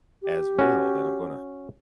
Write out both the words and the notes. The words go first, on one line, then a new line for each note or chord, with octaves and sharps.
as well that I’m gonna
G4
C#4 F#4